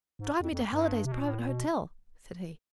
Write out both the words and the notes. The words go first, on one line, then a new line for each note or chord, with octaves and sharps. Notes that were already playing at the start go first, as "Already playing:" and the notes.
'Drive me to Halliday's Private Hotel,' said he.
G#2
F2
F2
G2
C3
B2
A#2
A2
A#2
B2